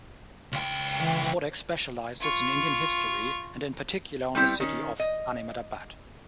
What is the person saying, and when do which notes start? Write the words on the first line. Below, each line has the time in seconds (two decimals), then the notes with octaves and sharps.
Spodek specializes in Indian history, and in particular on the city of Ahmedabad.
0.52 C#2 G5
1.00 E3
2.20 F4 C#6
4.35 G3 B3 C4 E4 G4
4.60 D#3 C#4
5.00 D#5